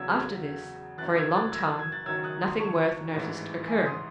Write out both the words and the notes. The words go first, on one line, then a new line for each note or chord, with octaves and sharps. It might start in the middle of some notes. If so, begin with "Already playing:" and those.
After this, for a long time, nothing worth noticing occurred.
Already playing: E2 C#3 F#3 E6 G#6
F#1 F#2 E3 F#6 A6
E6 G#6
F#6 A6
E6 G#6
D#6 F#6
E6 G#6
F#6 A6
F#1 F#2 D#3 F#3 E6 G#6
D#6 F#6
C6 D#6
A5 C#6
A1 G#2 E3
E5 G#5
C6 D#6